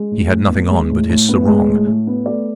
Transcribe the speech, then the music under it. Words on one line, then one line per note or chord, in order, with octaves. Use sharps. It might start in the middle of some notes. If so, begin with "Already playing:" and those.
He had nothing on but his sarong.
Already playing: G#3
A2
A2
B3
G#3
A2
A2
B3
G#3
A2
A2
B3
A3 D5